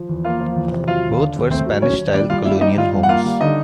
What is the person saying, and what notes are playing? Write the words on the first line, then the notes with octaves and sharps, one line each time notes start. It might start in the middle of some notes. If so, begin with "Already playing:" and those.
Both were Spanish-style colonial homes.
Already playing: F3
E2
A#3 F4 F5
F3
E2
C3
F#3 F4 F5
D#2
D3
D#2
A3 C4 C5
F#3
F#3 C#4 C#5
D#2
G3 D4 D5
G3 F4 F5
G3 E4 E5
G3 D#4 D#5
G3 F4 F5
G2
F#5
A#3 F4 F5
G3
D3 D#4 D#5